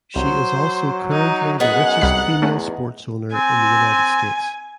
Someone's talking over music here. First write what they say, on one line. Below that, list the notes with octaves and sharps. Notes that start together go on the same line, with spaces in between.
She is also currently the richest female sports owner in the United States.
C2 F#3 C5
D#4
F#2 B3 D#4 G#4 F#5
C2 G3 B6
E2 A3 C#4
C4 G#5